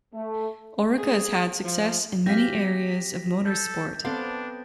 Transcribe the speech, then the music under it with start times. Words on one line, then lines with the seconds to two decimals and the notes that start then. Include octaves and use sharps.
Oreca has had success in many areas of motorsport.
0.14 A3
0.98 G#4
1.64 F3
2.26 F#3 C4 G4 F5 G#5 A#6 B6
3.46 A4 G6
4.05 B3 C4 D4 A4 F5 C6 D6